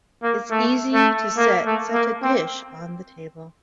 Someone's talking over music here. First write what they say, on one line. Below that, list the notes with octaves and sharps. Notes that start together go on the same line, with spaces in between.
It is easy to set such a dish on the table.
A#3
A3
A3
A#3
A3
A#3
C4